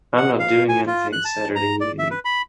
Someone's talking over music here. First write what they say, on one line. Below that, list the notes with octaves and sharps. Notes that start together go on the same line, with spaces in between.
I'm not doing anything Saturday evening.
F#5
F5
G#5
F4
F#6
A5
A#5
D5
E5
B4
B5